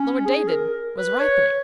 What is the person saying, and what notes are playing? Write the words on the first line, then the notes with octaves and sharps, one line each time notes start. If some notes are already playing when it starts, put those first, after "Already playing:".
Lord David was ripening.
Already playing: C#4
G#4
A#4
B4
C#5